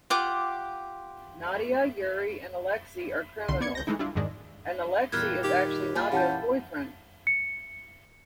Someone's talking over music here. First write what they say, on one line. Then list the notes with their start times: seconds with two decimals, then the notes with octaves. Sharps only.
Nadia, Yuri, and Alexei are criminals, and Alexei is actually Nadia's boyfriend.
0.10 F4 G4 F#5 D6
3.48 C2 D3 D#3 C6
3.61 B3 D5 G#6 C#7
3.75 C#2 G6 A#6
3.87 E3 G#3 A3 D#4 E4
3.99 G3 D4 E4 F4
4.15 F2 G#2 D#3 G#3 D4
5.12 E2 A#2 G3 G5 F6 F#6 G#6
5.44 D#3 G4
5.95 A#2 G3 E4 F4 G#5
6.12 E3 C#4 F#5 A5 G6
7.27 C#7